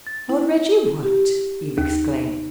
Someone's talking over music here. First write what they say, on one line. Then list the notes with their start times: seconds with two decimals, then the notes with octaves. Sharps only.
"Lord Reggie what!" Eve exclaimed.
0.07 A6
0.29 E4
1.03 G4
1.78 D#2